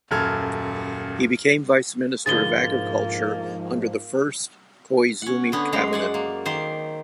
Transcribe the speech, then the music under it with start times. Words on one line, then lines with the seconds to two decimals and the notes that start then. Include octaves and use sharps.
He became Vice Minister of Agriculture under the first Koizumi cabinet.
0.11 D#1 F#2 A4 F6 G#6
2.26 G#2 B2 D3 F3 A#3 G#4 A6 G7
5.22 C#4 F#5
5.52 D3 B3 C#4 D4
5.73 F#2 G#3 C5 A#5
5.93 D5 F#5 G#5
6.14 A#3
6.46 D#3 C5 D5 F5 C6